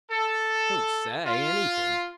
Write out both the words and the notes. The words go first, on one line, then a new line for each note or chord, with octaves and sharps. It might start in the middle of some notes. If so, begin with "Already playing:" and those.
He'll SAY anything.'
A4
F4